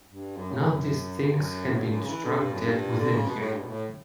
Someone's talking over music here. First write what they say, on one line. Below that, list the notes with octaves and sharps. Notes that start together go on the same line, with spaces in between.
Now these things had been struck dead within him.
G2
F#2
A2
F#2
G2
F#2
A2
G2
F#2
C#3
E3
D3
G2
F#2
G2
D3
C#3
B2
A2
G2
B2
A2